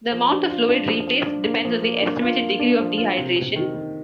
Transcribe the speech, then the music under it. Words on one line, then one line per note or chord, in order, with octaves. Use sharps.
The amount of fluid replaced depends on the estimated degree of dehydration.
F3
D4
F4
D4
F3
F3
D4
A#3
F3
A#3
D4
F4
A#3
D4
F3
F4
C3
C3
D#3
D#3